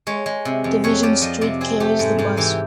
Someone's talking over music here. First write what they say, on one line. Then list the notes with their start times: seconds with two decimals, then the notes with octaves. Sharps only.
Division Street carries the Bus.
0.07 G#3 C#5
0.26 G#3
0.45 C3
0.64 F2
0.84 F2 C#5
1.03 F3 D5
1.22 F3 D#5
1.41 C3 D5
1.61 C4 G#4
1.80 A3 G4
1.99 G#2 G#4
2.19 G#2 G#4
2.37 E3 G4